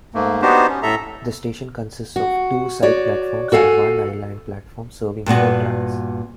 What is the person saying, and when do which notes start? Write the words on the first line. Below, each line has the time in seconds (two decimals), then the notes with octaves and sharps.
The station consists of two side platforms and one island platform serving four tracks.
0.14 G#2 A3 A#3
0.42 B3 D4 D#4 F#4 G4 C5
0.69 C#4
0.83 A2 A4 E5 A#5
2.16 F#4
2.83 F#4 C#5 D5
3.52 F#4 A4 F5 F#5 G#5
5.26 G2 A#2 B3 F#4